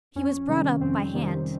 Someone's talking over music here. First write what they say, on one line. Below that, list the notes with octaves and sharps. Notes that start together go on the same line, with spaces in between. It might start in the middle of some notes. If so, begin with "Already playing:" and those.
He was brought up by hand.
F2 C#4
C3 D#3 G3
F2 C4
C3 D#3 G3